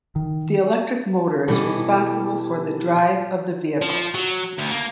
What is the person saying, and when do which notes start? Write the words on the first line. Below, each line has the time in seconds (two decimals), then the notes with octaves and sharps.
The electric motor is responsible for the drive of the vehicle.
0.16 D#3
1.48 B2 E3 G3 A4
3.81 F3
4.15 F#3
4.59 D2
4.71 A#3